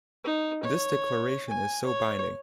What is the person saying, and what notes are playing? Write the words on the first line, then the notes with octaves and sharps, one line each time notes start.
This declaration is still binding.
D#4
C#5
G#5
C#5